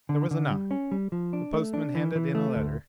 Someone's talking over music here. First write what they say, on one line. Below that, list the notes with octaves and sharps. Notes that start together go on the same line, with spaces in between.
There was a knock-the postman handed in a letter.
D3
D3
G3
C#4
G3
F3
D4
A3
D4
E3
E3
A3
D2